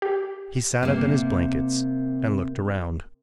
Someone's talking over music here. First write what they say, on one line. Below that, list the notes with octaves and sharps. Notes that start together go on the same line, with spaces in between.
He sat up in his blankets and looked around.
G4
C3 A#3